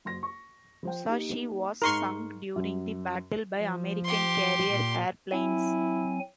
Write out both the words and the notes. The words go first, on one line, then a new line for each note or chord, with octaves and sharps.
"Musashi" was sunk during the battle by American carrier airplanes.
F#1 C6 A#6
C#6
F3 C5 G5
A#3 D#4 G4
G#2 D#4 A#4 C6 C#6
F#2
F3
G4 C6
A#2
F#3 C4 E4 G#5